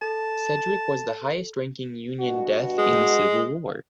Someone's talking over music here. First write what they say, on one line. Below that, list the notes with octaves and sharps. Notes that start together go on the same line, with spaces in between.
Sedgwick was the highest-ranking Union death in the Civil War.
A4 A5
G2 B2 F#4
G#3